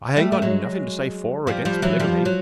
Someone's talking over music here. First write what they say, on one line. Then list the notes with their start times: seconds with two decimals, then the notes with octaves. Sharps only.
I ain't got nothin' to say for or against polygamy.
0.17 G3 A3
0.32 A3
0.42 F#3 G#3
1.47 F3 G3
1.65 F3 G3
1.82 E3 F#3
2.00 F3 G3
2.25 F#3